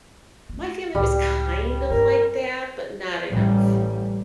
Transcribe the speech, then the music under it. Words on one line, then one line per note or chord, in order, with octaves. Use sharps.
My family was kind of like that, but not enough.
A3 A#3
C#2 A2 G3
G2 A#4
A1 G3